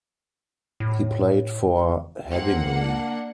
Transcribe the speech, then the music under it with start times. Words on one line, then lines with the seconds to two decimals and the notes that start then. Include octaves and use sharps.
He played for Headingley.
0.80 A2
2.30 C3 F3 A#3 C4 F#5
2.73 D4